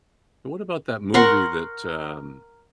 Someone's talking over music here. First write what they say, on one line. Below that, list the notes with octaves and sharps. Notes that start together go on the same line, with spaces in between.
And what about that movie that, um,
A#4 F#5 C6 C#6